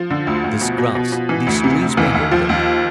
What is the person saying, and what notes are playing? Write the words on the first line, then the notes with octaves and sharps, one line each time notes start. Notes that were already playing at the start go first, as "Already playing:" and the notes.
This grass, these trees, may hold it.
Already playing: F3
D3
D2
D2
B2
B2
B2
B2
E3
D2
C3
D2
D#2 E3
D#2
D#2 F3
D#2